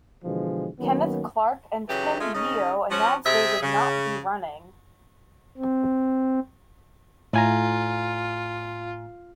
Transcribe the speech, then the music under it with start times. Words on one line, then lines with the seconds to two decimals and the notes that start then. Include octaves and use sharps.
Kenneth Clarke and Tim Yeo announced they would not be running.
0.24 B2 D3 E3 F3 G#3
0.80 D#3 F#3 A#3 B3 C#4
1.89 C#3 E3 F#3 G4
2.20 G#3 A3 F4
2.34 C#3 C#4 D#4 D#5
2.90 F3 C#4 F#4
3.25 C3 C4 G#4 E5
3.62 C#3
5.58 C4
7.33 A2 F4 G#5 A#5